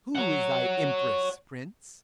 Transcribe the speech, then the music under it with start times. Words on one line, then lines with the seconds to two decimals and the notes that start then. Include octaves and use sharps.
Who is thy Empress, Prince?
0.16 C#5 F#5